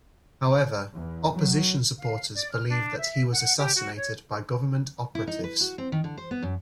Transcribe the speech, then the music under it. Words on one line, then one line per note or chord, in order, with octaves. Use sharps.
However, opposition supporters believe that he was assassinated by government operatives.
E2
F#3
F5
D5
F6
D4
E5
F#5
G4
F#4
C#5
E4
D#4
B4
F#4
C4
D#3
D3
C5
B3
F#2